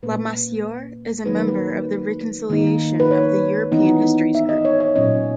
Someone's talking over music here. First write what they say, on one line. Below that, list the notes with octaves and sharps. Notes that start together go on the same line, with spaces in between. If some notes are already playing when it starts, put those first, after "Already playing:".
Lamassoure is a member of the Reconciliation of European Histories Group.
A#2 A#3 C#4 B4
D#3 F#3 A#3 D#4 B4
A#4
B4
D#3 A#3 D#4
B4
C#5
E3 B3 D#4
E5
D#5
C#5
C#5
A#2 F#3 C#4 D#5